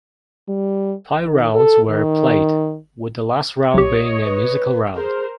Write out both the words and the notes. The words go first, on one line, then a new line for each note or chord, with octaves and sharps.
Five rounds were played, with the last round being a musical round.
G3
D#3
A4
D#3
B1 G4 C#5 D#5
B4
G#4 A#4 C5